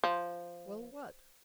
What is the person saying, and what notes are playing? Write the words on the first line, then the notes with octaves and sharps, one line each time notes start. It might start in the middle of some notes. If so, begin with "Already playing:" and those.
"Well, what?"
F3